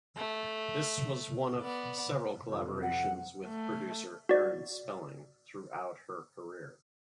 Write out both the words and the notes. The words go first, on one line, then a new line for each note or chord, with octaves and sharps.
This was one of several collaborations with producer Aaron Spelling throughout her career.
A3
B3 D5
F2 C3
F#5
A3
F#4 D5